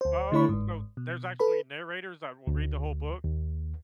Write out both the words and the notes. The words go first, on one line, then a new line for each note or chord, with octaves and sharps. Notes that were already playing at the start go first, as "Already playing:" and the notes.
Oh, so there's actually narrators that will read the whole book?
D2 C5
D3 A3 E4 C#5 B5 C#6
G1 G#2
B2
A4 B4 B5
D2
D#2